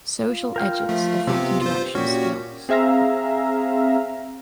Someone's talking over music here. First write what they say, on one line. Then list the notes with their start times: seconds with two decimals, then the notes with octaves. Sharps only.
Social Edges affect interaction skills.
0.20 F4
0.56 A#4 G5 F6
0.89 F3 A3
1.27 C3 B3 C4 G4
1.61 G2 F4 C5
1.95 A#2 C#4 F#4 G4
2.69 C4 G#4 E5 F5 A#5